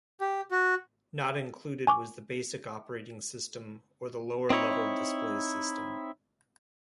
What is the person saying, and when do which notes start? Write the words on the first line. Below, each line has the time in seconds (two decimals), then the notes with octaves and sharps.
Not included was the basic operating system, or the lower-level display system.
0.21 G4
0.51 F#4
1.87 G#5 C#6 D6
4.50 C4 D#4 E4 C#5